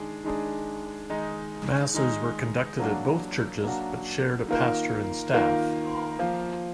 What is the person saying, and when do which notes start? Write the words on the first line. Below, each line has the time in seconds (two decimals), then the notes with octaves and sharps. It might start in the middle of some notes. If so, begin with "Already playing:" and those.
Masses were conducted at both churches, but shared a pastor and staff.
Already playing: D#3 G#3 D4 G#4
0.24 D#3 G#3 D4 G#4
1.09 D#3 G#3 D#4
1.94 D#3 G#3 D#4
2.79 F#3 A#3 D4 F#4
3.63 F#3 A#3 D4 F#4
4.48 D#3 A#3 F4 A#4
5.34 D#3 A#3 F4 A#4
6.19 F3 A#3 F4